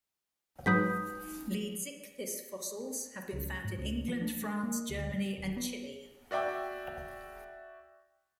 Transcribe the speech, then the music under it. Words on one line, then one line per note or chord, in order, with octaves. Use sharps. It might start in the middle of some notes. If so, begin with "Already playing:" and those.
"Leedsichthys" fossils have been found in England, France, Germany and Chile.
G#2 F#3 B4 D#6 G6 B6
C#2
G#2
C#2
F3
D4
G#3
A#3
D2
G3
D#1
B3
F#4 D5 E5 G5 D6